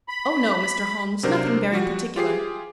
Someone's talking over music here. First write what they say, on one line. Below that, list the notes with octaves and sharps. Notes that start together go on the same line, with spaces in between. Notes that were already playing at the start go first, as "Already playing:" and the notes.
"Oh, no, Mr. Holmes--nothing very particular."
B5
C3 F#3 D4 A#4 C5
F3 G3 F#4
F4 G4 G#4 C7